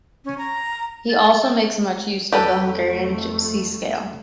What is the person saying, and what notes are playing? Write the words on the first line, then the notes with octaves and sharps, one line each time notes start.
He also makes much use of the Hungarian gypsy scale.
C#4
A#5
A6
F2 A3 G4 A4 B4